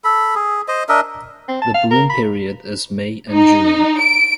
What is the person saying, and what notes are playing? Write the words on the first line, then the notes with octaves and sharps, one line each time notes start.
The bloom period is May and June.
A4 B5
G#4
C5 D#5
D4 A#4 D#5 E5
C4
A5
F5
A#4
B5
D#4
D7